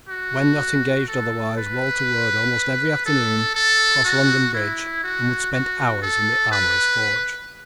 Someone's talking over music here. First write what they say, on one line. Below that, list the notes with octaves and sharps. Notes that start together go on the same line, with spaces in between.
When not engaged otherwise Walter would, almost every afternoon, cross London Bridge and would spend hours in the armourer's forge.
F#4
A4
B4
A4
A4
F#4
E4
F#4
F#4
A4
B4